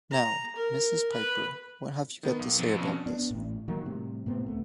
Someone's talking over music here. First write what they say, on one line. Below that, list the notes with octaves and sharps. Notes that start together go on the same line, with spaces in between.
Now, Mrs. Piper, what have you got to say about this?
A#5
A#4
B4
D#3 B3
B1
F2
B2 C#4 D4
B3 D4
A1 A2
D#3 F#3 A#3
A2 C3 G3
A2 C3 B3 C4
C#2 A3 B3